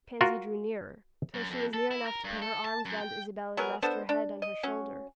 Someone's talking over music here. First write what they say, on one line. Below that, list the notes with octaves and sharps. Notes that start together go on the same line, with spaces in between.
Pansy drew nearer, till she was near enough to put her arms round Isabel and rest her head on her shoulder.
F4 F#4 A#4
F#2
F2
A4
E4
A#4
G2
A4
A5
F#2
G5
F#3 B3 G#4 A#4
B3 D4 A4 C5
D4
D#5
F#3 C#4